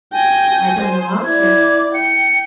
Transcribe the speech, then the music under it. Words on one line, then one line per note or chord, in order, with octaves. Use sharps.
'I don't know Oxford.
G5 G#5 A#6
C5
E4 D5 G#6
G5 C#7